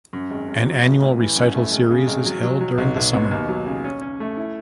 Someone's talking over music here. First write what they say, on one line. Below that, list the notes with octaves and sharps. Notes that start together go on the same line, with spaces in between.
An annual recital series is held during the summer.
F#2
G#1
G#1
F#3
A1
A1
E3
F#2
A3
G#1
C#3
G#1
F#3
F#3
F#3
B1
B1
B2
D#2
F#3
C#3
C#4
C#4
A3
E4